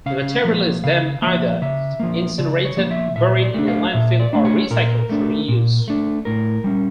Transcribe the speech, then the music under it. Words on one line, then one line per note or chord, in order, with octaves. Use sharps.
The material is then either incinerated, buried in a landfill or recycled for reuse.
C#3 F5
F3 A#3
C#3 F5
F3 A#3 E5
C#3 E5
F3 A#3
C#3 D5
C#5
F3 A#3
E5
A#2 E5
D5
A3 D4
F5
A#2 E5
D5
A3 D4
C#5
A#2 A#4
A3 D4
A#2
A3 D4
A2 A#4
G3 C#4